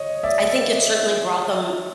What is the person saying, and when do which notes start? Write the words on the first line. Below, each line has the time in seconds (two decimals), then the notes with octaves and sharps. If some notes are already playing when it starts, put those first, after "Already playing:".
I think it certainly brought them
Already playing: C#5 D#5
0.23 D5 E5